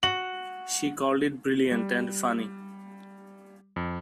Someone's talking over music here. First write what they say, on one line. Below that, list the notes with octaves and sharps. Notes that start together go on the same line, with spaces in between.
She called it "brilliant" and "funny".
F#4 F#7
G3
F2